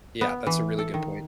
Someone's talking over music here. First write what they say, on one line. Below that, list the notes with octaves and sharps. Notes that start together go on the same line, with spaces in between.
yeah, that's a really good point.
B3
E3
A4
D#3